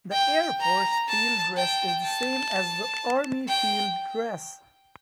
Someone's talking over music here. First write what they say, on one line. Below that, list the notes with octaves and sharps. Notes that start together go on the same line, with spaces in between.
The Air Force field dress is the same as the army field dress.
G5
A#5
A5
G5
A5
G5